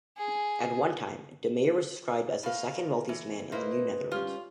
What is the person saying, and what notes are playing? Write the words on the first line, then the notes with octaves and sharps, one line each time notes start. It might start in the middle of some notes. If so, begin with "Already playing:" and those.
At one time, DeMayer was described as "the second-wealthiest man in the New Netherlands".
G#4
A2 F5
E3
A#3 E4 B4 C5 D#5
G3 C#4 F4